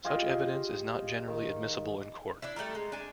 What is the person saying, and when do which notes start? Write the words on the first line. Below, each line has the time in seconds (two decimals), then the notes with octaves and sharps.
Such evidence is not generally admissible in court.
0.04 F4 G4 G#4 D#5
1.28 D#3
2.42 D4 E4
2.56 G3 A3 A4 A#4
2.75 G#3
2.92 D4 G#5